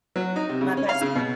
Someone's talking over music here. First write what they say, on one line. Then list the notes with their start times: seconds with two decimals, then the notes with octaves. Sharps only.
My best friend
0.16 F#3
0.36 D#4
0.49 C3
0.61 C#3
0.77 C#4
0.89 F5
1.02 C#3
1.15 B2